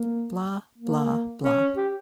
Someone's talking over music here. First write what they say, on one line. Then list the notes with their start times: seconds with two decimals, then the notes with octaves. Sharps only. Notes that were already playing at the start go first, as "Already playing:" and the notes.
Blah, blah, blah.
Already playing: A#3
0.78 A#3
1.43 C#4
1.76 G4